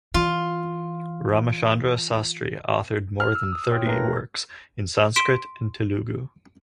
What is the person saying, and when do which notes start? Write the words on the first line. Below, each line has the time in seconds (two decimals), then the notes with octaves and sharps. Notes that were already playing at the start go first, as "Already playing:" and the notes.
Ramachandra Sastri authored more than thirty works in Sanskrit and Telugu.
0.14 E3 F4
3.20 F6
3.35 E6
3.53 D#6
3.71 F4 C#5 G5
3.86 A3 A#4 B4 A#6
5.16 C6 B6 D7 E7